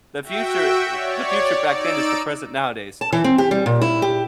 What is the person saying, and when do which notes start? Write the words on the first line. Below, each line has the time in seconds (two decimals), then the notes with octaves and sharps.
The future it The future back then is the present nowadays.
0.23 F#4 E5 G5
0.91 C#5 D5
1.64 D#4 D5 E6 D7
3.01 A5
3.13 E3
3.24 C4
3.38 G4
3.51 G3
3.66 A#2
3.81 E4
4.02 G4